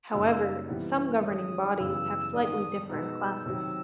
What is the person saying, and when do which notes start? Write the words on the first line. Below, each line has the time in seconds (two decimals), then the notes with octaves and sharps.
However, some governing bodies have slightly different classes.
0.12 F#2 C#3 F#3 A#3 D#4 E6
0.68 C3 E3 G3 B3 E4
1.23 G#2 D#3 G#3 C#4 E4 D#6
1.78 F#2 C#3 E3 G3 B3 E6
2.34 G#2 D#3 G3 B3 D4 D#6
2.89 B2 G#3 B3 D#4 E6
3.45 C3 D#3 F#3 E6